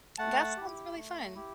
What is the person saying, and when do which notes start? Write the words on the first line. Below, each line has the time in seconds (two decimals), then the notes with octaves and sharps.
That sounds really fun.
0.18 A3 F#5 A5
0.57 E4 G4
0.96 A3
1.35 E4 G4